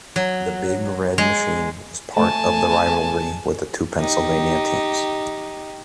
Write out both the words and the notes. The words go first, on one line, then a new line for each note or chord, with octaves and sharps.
The Big Red Machine was part of the rivalry with the two Pennsylvania teams.
F#3
G#3
A3 G#5 A5
D#4 G4